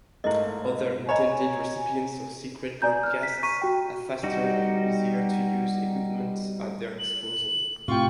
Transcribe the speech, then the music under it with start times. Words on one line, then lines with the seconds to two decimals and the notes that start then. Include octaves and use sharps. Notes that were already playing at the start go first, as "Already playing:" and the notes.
Other intended recipients of secret broadcasts have faster and easier-to-use equipment at their disposal.
0.24 G#2 A3 A#3 E4 D#5
1.09 C#5 D#5 G#5 A#5 B5
2.82 D5 G#5 A#5 G6
3.03 F6 F#6
3.23 B6
3.43 A#5 C#6 B6 D#7
3.62 F#4 G5
4.23 G3 D#4 F#4
6.99 F#7
7.88 A2 C3 F4 G5 C#6